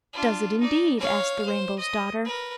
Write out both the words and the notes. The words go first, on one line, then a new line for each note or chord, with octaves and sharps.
"Does it, indeed?" asked the Rainbow's Daughter.
D4 F4
D#4 D5
C#5 F5
C5
D#5
A#4 B4